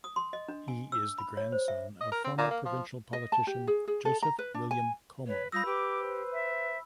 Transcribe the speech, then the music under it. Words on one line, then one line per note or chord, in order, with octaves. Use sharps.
He is the grandson of former provincial politician, Joseph William Comeau.
D#6
C6
D#5
D4
G#5
E6
B5
C#5
C5
E5
D#5
A#4
C4
A#2
A#3
F3
D#5
A5
G4
G#4
G#4
A4
A#5
B4
D4
G#5
B4 C#5
G3 F4 B5 D#6 E6 G6 A#6
G4 B4 D6
C5
E5